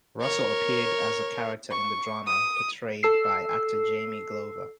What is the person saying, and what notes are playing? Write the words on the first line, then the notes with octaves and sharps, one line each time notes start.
Russell appeared as a character in the drama, portrayed by actor Jamie Glover.
A#4 C#5
C#6
D#6
A4 E6 C7